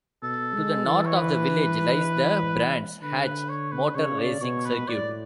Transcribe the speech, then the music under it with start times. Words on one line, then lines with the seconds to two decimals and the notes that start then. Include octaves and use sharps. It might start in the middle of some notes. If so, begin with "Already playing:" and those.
To the north of the village lies the Brands Hatch motor racing circuit.
0.23 B2 A4
0.54 G#3
0.85 E3
1.06 C#5
1.16 B4
3.02 D3 B4
3.26 B4
3.49 C#5
3.72 B4
3.95 C#3 C#5
4.19 D5
4.42 B2 C#5
4.65 B4
4.88 A2 D5